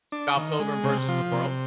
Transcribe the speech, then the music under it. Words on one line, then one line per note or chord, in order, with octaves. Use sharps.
Scott Pilgrim vs. the World.
D4
D#3
G#3
C3
F3
C3